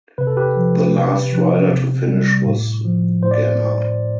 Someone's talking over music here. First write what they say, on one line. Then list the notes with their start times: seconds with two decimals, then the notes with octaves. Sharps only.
The last rider to finish was Ganna.
0.18 C3 B4
0.27 A4
0.37 G4 B4
0.56 F3
0.95 C3
1.32 F3
1.71 C3
2.08 G3
2.46 A2
2.85 F3
3.23 A2 C5
3.31 D5